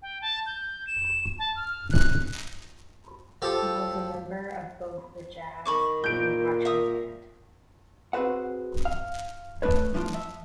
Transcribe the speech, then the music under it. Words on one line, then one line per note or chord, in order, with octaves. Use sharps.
He was a member of both the jazz and marching band.
G5
A5
G6
E7
A5
F6
F#6
F3 G4 A4
D#3 B5 C#6 D6
A#2 G6 D7
A#4 E5 D#6
C4 F#4 G#4 B4 C5 F#5
F5
F3 A3 D4 B4 C#5
A2 F3 D4 F4 C6
F3 E5